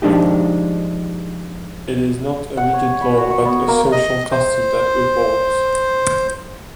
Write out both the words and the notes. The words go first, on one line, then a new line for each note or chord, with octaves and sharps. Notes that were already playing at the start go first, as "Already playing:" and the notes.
It is not a rigid law but a social custom that evolves.
F3 G#3 D4 D#4 G4
F#5
C#5
B5
F#4
C#6
B3
A#3
D#5
C5